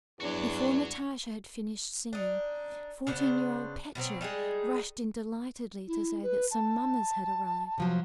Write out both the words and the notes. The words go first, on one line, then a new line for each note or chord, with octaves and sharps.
Before Natasha had finished singing, fourteen-year-old Petya rushed in delightedly, to say that some mummers had arrived.
E2 G2 F#3 D4 F#4 C#5
D4 D#4
C#3 B3 D4 C5
B2 F#3 A#3 C4
G3 G#3 D#4 G#4
E4
B4
A5
C3 F3 F#3